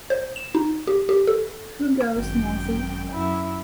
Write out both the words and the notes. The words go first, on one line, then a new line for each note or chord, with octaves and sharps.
Who Goes Nazi?
C5
E7
D#4
G4
G4
A4
G#1 F#2 G5
F#2 E4